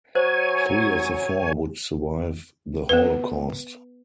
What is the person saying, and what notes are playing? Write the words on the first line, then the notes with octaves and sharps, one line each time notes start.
Three of the four would survive the Holocaust.
F#3 C5 C#5 G#5
B3 B4